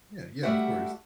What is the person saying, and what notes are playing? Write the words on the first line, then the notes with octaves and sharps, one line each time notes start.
Yeah, yeah, of course.
G3 A3 F#4 G4 E5 F#5